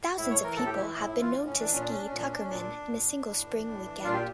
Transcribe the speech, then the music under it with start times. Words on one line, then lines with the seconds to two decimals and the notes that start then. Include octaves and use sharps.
Thousands of people have been known to ski Tuckerman in a single spring weekend.
0.18 A2 E4
0.30 C#5
0.37 E3
0.43 A#4
0.56 A2 A4
0.66 G4
0.76 E3 E4
0.95 A2 E4
1.08 E4
1.15 E3
1.21 F4
1.33 A2
1.46 C#4
1.53 E3
1.59 D4
1.72 A#2 C#4
1.81 D4
1.89 C#4
1.97 D4
2.06 C#4
2.11 A#2 D4
2.23 C#4
2.31 D4
2.40 C#4
2.49 A#2 D4
2.87 A#2
3.27 A2
3.45 E3
3.65 A2
3.84 E3
4.04 A#2 F4
4.13 G4